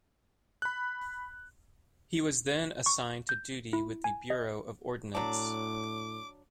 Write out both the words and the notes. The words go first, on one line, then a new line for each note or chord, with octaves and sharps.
He was then assigned to duty with the Bureau of Ordnance.
B5 F#6
C#6
G6
E4
G#5
D#5
A2 F#3 D4 D6